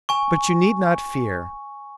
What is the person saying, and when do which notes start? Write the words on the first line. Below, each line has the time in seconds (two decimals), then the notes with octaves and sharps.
But you need not fear.
0.09 G#5 C#6